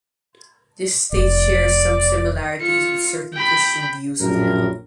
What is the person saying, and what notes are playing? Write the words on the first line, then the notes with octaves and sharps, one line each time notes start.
This state shares some similarities with certain Christian views of hell.
F1 D5
F4 C#7
G5 B5
A#1 F#2 A2 A#4